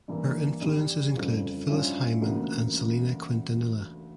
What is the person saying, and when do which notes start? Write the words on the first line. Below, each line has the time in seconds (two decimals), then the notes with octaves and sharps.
Her influences include Phyllis Hyman and Selena Quintanilla.
0.08 G2 E3 A#3
0.61 G2 E3 G3 D4
1.15 G1 F2 C#3
1.68 G2 F3 C#4 E4
2.21 E1 D2 C#3 F3 A#3